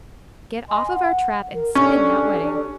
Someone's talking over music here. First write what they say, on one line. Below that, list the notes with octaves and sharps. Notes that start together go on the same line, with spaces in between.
"Get off of our trap and spin that wedding."
D#5 G#5 C6
F#5
A#4
C#4 D4 G4 A4